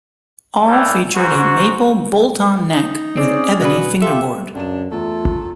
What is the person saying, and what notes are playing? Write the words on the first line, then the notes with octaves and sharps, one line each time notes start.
All featured a maple bolt-on neck with ebony fingerboard.
D#3 E3 G3 A3 C#4
G#2 F#4
D#4
C4 C#4 G#4 D5
B1 F#4 B4
F4 G4 A4 E5
C#2 F#2 D4 E7
E2 A3 F4 A4